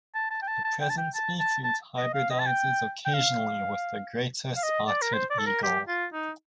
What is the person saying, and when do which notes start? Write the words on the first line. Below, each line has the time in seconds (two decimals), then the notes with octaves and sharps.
The present species hybridizes occasionally with the greater spotted eagle.
0.15 A5
0.31 A5
0.42 G5
0.48 A5
0.64 A5
0.81 G5
0.90 A5
0.98 G5
1.15 A5
1.40 A5
1.64 A5
1.97 D#5
2.14 F5
2.31 D#5
2.40 A5
2.47 G5
3.06 G5
3.14 F5
4.57 F5
4.63 D#5
4.88 D5
5.02 A#4
5.13 C5
5.30 D5
5.39 A4
5.47 A#4
5.63 G4
5.88 F4
6.13 D#4